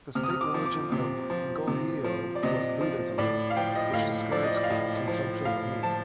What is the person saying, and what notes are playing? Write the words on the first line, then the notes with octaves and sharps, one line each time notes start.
The state religion of Goryeo was Buddhism, which discouraged consumption of meat.
C3 F6
D#6
F6
D6
F3
D6
C3
F3
C3
F3
D5
C3 D#5
F3
A2 D5
F5
F3 G5
D#5
A2 F5
F3 D5
D#5
D5
F5
A2 D#5
F3
A2 F5
F3 A5